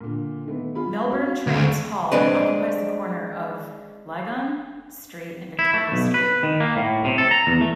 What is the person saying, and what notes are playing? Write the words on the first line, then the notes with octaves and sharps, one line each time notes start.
Melbourne Trades Hall occupies the corner of Lygon Street and Victoria Street.
A#2 D3
D#3 A3 B3
F4 G#4 B5
C4 F#4 F5
D2
G#3 C4 D4 B4
E4
A3
B1
B4
D#3
A#3
A2
C3
A4
A#5
E2
A3